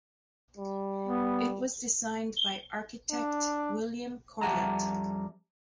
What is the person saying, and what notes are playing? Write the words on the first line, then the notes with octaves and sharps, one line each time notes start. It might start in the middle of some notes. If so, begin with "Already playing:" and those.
It was designed by architect William Corlett.
G3
B3
D4
F2 G3 E5 F#5 A5 A#5